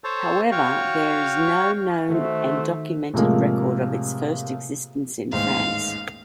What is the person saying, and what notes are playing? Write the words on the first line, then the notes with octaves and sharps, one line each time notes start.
However, there is no known and documented record of its first existence in France.
A4 C5 C#5 A5
F#4 C#5 F5 G5 C#6
D#3 A3 D#4 F#4 C5 E5
A2 C3 F3 G#3 A#3
A1 D#2 G#2 F5